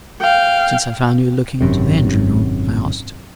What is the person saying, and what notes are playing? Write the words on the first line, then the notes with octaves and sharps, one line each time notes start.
"Since I found you looking into the engine-room?" I asked.
F5 G5
G#1 F#2 C3